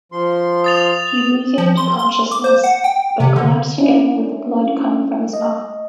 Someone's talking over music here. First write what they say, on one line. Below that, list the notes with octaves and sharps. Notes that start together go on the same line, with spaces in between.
He regained consciousness, but collapsed again with blood coming from his mouth.
F3 C6
D#6 A6 F7
F3
C6
C6
D6
C5
F#5
G5
C3
D3
C#4 D4 E4
D#5